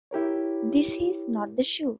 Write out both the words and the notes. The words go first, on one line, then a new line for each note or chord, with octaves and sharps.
This is not the shoe.
E4 G4 A#4 C#5